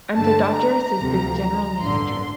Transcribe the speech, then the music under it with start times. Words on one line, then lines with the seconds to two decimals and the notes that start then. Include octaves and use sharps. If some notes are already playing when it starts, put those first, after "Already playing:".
I'm the Dodger assistant general manager.
0.16 G2 D3 A3 A5
0.57 A#5
0.99 D2 C3 F3
1.82 A1 G2 D3 C6